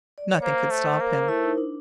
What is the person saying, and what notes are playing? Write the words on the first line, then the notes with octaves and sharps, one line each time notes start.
Nothing could stop him.
D5
C#5
A#3 C5
A3
A#3 A#4
A#4
A3 E4
D#4
D4